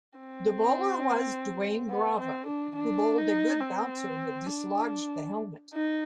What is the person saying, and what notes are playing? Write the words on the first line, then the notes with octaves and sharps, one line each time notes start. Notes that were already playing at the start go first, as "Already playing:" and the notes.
The bowler was Dwayne Bravo, who bowled a good bouncer that dislodged the helmet.
C4
B3
C4
D4
D4
D#4
C4
D4
D#4